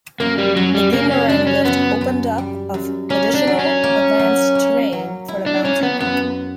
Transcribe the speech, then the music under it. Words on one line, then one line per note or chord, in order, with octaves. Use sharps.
The Boomerang lift opened up of additional advanced terrain for the mountain.
F#2 A#3
G3
F#2 F#3
G3
C#3 A#3
C#4
F#2 D4
C#4
F#2 B3
F#2
G3
F#2
A#3 C#4
D4
F#3
C#4
A#3
F#3
A#3
F#3
E4
D4
A#3 C#4
B3
F#2 B3